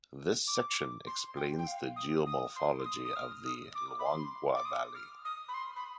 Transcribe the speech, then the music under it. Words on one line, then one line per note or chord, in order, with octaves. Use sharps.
This section explains the geomorphology of the Luangwa Valley.
D6
C6
G5
G5
F5
D#6
D#6
C6
D#6
D#6
F6
D#6
D6
B5
C6
D6
D#6
F6
D#6
B5
C6
B5